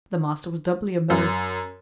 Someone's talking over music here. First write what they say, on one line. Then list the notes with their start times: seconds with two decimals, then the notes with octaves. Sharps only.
The master was doubly embarrassed.
1.10 F#2